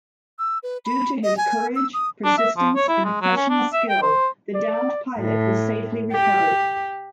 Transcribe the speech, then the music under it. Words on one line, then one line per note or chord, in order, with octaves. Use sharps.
Due to his courage, persistence, and professional skill the downed pilot was safely recovered.
E6
B4
B5
D#5
G#5
E6
D#6
D4
E5
F3
C#5
E4
G#3
F#3
C#4
D4
E5
G5
C5
D5
A2
G4